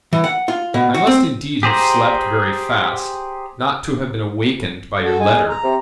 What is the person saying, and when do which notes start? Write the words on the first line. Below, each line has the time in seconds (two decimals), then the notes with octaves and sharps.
'I must indeed have slept very fast, not to have been awakened by your letter.
0.13 E3
0.24 F#5
0.48 F4
0.74 B2
0.94 F#4
1.07 C4
1.63 G4 G#4 C5 A#5
5.03 F#4 A4
5.20 G#3 G#5
5.49 A#5
5.64 C3